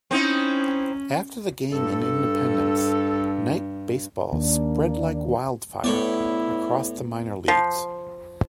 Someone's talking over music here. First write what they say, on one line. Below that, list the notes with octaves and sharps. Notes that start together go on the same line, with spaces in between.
After the game in Independence, night baseball "spread like wildfire" across the minor leagues.
C4 C#4 D#4 E4
G2 A4
D#2 A#3 D4
A2 B3 E4 C#5 D5
F3